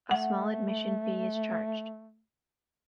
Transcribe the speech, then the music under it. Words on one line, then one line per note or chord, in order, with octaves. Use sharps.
A small admission fee is charged.
A3 F#5